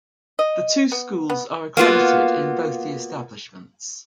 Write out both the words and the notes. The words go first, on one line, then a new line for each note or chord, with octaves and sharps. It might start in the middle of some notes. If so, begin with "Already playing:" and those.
The two schools are accredited in both the establishments.
D#5
B3
B3
A#3 B3 F4 F#4